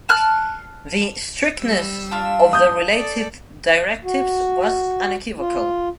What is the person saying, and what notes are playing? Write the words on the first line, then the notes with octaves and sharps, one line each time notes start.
The strictness of the related directives was unequivocal.
A5 F6 F#6
G3 E6
D4 F4 F5
D#6 G6
A4 D5
F#4
F4